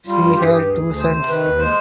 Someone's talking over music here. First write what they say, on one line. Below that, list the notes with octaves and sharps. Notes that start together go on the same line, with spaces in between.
She had two sons.
G3 F4
G2
G2 G4
G#4
G2 G4
D2 G#4
D2
C3 C5
C3
D#3 B4
D#2
G#3 C5